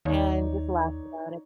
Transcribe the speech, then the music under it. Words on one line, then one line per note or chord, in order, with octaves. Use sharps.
and just laugh about it.
D#2 D#4 C#5 D5